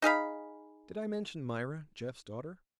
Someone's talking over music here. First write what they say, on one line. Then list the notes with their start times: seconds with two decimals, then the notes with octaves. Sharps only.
Did I mention Myra, Jeff's daughter?
0.02 D#4 G#4 F5 B5